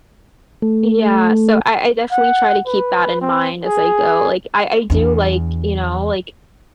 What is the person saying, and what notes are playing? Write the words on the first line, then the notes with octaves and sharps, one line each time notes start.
Yeah, so, I I definitely try to keep that in mind as I go, like, I I do, like, you know, like
A3
F#5
B4
C4
G#4
E2 D4